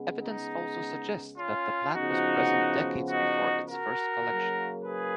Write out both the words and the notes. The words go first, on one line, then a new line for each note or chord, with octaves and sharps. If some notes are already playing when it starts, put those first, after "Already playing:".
Evidence also suggests that the plant was present decades before its first collection.
Already playing: C#3 G#3 B3
D#4
C#4 F4
C#3 F3 B3 D#4 F#4
D#4 F#4
F#4 A#4
C#3 F#3 A#3
G#4 B4